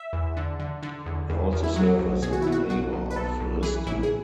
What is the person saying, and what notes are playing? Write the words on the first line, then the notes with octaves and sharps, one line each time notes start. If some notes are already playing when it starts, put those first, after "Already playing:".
He also serve as the mayor of Risti.
Already playing: E5
E2
D3
D3
D3
E2
E2
E2
E4
F#3 F#4
B1
B2 G#4
F#4
B2 E4
F#4
B1 F#4
B1
B4
B1 A4
B1
E3 G#4
A1 E4
G#4